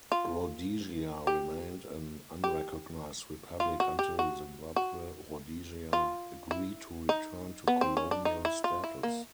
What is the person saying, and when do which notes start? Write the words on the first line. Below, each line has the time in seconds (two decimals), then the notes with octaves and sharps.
Rhodesia remained an unrecognised republic until Zimbabwe Rhodesia agreed to return to colonial status.
0.12 F4
1.27 G4
2.44 G4
3.60 F4
3.80 F#4
3.99 G4
4.19 F#4
4.76 F#4
5.93 F4
6.51 E4
7.09 D#4
7.68 B3
7.81 C4
7.97 C#4
8.11 D4
8.25 D#4
8.45 E4
8.64 F4
8.84 E4
9.03 A#3